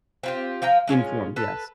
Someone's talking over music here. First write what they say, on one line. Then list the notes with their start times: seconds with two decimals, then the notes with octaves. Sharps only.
Informed, yes.
0.23 C4 F4 G4
0.62 F3 F5 G5 A#5
0.87 G#3 A3 C#4 F4
1.36 A4 B4